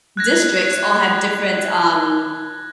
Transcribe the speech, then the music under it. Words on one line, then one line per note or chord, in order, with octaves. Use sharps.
districts all have different, um
F#6 G#6 A#6